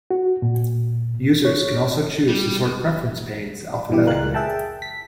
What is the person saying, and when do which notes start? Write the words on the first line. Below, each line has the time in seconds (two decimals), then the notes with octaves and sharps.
Users can also choose to sort preference panes alphabetically.
0.11 F#4
0.42 A#2
1.45 C#5
2.28 G3
3.90 G2 B2 E3 E4 G4
4.07 C#2 G#3 A#4 F5 F#6
4.35 G#4 E5 G5 A5
4.82 B6